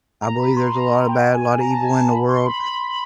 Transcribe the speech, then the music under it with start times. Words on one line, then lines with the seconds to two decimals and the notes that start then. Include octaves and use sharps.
I believe there's a lotta bad, a lotta evil in the world
0.22 A#5
0.40 B5
0.57 C6
0.74 A#5
1.09 G5
1.34 G#5
1.61 A#5
1.71 A5
1.81 G#5
1.92 A5
2.12 B5
2.29 C6
2.46 B5
2.64 B5
2.90 B5